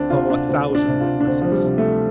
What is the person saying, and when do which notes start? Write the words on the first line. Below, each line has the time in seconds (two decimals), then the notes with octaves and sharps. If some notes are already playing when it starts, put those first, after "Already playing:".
Oh, a thousand witnesses!
Already playing: D2 C4 D4
0.10 C3 F4
0.30 D4
0.49 D2 C4
0.75 D4
0.88 C3
1.01 F4
1.20 D4
1.26 D2 C4
1.41 F3
1.52 G3
1.65 C3
1.78 A3